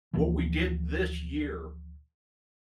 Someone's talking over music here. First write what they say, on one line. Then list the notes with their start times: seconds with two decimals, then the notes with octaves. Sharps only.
what we did this year
0.13 D2 A#2 E3 F3